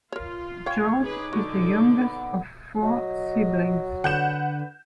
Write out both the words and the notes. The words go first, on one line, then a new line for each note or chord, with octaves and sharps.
George is the youngest of four siblings.
F4 A#4 C#5
C#5 F5 G5 G#5
D#4 G#4 B4 D6
D3 F#4
B3
F#3 D#5
D3 B4 F#5 G6 E7